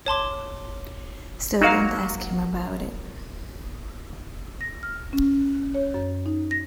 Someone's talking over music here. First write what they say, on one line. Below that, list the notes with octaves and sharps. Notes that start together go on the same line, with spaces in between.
So don't ask him about it.
C#5 A5 C6 D6
F#3 A#3 D#4 F#4 F5
A#6
F6
C#4
C#5
F#2
D#4
A#6